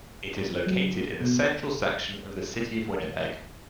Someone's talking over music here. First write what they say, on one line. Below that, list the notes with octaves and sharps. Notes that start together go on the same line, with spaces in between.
It is located in the central section of the City of Winnipeg.
F#3
B2